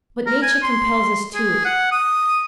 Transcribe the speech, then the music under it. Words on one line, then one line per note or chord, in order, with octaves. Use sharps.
But nature compels us to it.
A#4
G#5
C6
G#4
F#5
D#6